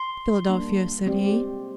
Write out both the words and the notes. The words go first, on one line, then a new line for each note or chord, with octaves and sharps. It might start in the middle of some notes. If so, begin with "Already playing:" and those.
"Philadelphia," said he.
Already playing: C6
G3 A#3 D4
G#3 C4 G4 D5